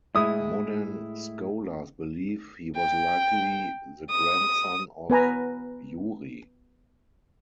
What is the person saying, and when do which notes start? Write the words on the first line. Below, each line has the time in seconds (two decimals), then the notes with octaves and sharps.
Modern scholars believe he was likely the grandson of Yuri.
0.15 A2 G#3 E4 D#6
2.76 G5
4.10 D#6
5.10 B3 B4 G#5 A#5